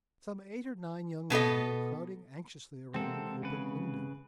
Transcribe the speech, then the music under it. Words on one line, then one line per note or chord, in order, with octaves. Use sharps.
Some eight or nine young men were crowding anxiously round an open window.
B2 B3 A4 D#5
C3 E3 G#3 A#3 C4 A4 F#5
C#3 B4